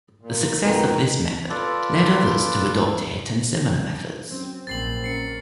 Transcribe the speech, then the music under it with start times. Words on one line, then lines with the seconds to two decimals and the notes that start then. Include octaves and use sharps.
The success of this method led others to adopt it and similar methods.
0.21 A#2
0.60 F2 B2 A#3 D#4
1.50 F4 A4 B4 D5
4.31 F#3 C4 C#4
4.67 A#1 A6 C7 F#7
5.04 C#4 A#4 C7 C#7